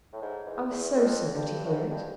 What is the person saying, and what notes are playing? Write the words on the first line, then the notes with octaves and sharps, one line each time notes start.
"I was so sorry to hear it."
A2
G#2
E2
E2
F2
G2
A2
G#2
G2